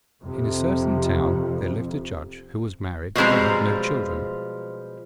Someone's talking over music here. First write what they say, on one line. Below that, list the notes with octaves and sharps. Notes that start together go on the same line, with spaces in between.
In a certain town there lived a judge who was married but had no children.
F2 C3
B2 F3 G3 G#3 C4 A#5